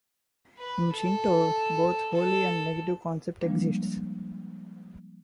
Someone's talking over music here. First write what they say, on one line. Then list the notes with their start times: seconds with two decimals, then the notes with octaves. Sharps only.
In Shinto, both holy and negative concept exists.
0.57 B4
0.92 A4
2.13 A4
3.42 F3 G3 G#3 A#3 D4